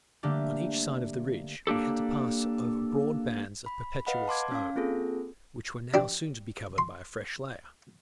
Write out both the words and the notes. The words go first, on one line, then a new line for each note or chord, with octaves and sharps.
On each side of the ridge, we had to pass over broad bands of perpetual snow, which were now soon to be covered by a fresh layer.
D3 G3 A3 A#3 D4 G4
A#3 D4 G4 A4
B5
B4 D#5 F5 F#5 B5
A5 C6 D6 G#6
C#4 F5
A#3 C4 F4 G#4 A4
D4 G4
C6